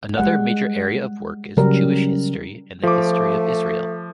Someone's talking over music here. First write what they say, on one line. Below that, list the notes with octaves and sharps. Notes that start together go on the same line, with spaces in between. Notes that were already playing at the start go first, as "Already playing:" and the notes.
Another major area of work is Jewish history and the History of Israel.
G3 G#3 F#5
C#3 F#3 G3 A#4
F3 A3 D6